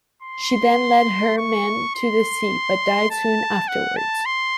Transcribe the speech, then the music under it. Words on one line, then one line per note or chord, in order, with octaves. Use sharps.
She then led her men to the sea, but died soon afterwards.
C6
C#6
C6
A5
F#5
A5
C6